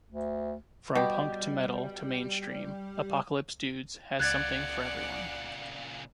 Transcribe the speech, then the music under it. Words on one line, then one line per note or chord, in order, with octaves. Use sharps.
From punk to metal to mainstream, "Apocalypse Dudes" has something for everyone.
D2
B2 G3 G4
C#2 A#2 C#3 D5 F#5 F#6 G#6 A6